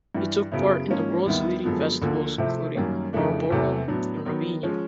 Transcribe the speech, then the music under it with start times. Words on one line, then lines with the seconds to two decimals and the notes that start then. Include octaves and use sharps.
He took part in the world's leading festivals, including Marlboro and Ravinia.
0.15 G2 E3 G3
0.52 F#2 C#3 F#3 B3 E4
0.88 G#2 F3 A#3 C#4
1.26 D#2 D#3 G3 B3 E4
1.64 F#2 D3 F3 G#3 B3
2.02 D2 D3 F3 A#3
2.38 C3 F3 A3 C4 E4
2.75 F#2 D#3 G3 A#3 C#4
3.13 F2 C#3 E3 A3 D4
3.50 E2 C3 E3 A3
3.88 A2 F#3 B3 D4
4.25 D#3 F#3 B3
4.63 F3 G#3 C#4